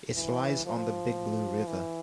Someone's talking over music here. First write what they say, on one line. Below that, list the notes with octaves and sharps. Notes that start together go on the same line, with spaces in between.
It lies on the Big Blue River.
E3
F3
E3